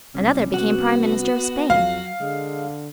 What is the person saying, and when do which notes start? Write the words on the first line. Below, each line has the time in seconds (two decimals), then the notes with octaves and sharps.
Another became Prime Minister of Spain.
0.14 B1 C3 G3 C#4
0.54 B3 F#4
1.70 F2 F#3 F5
2.20 D3 G#3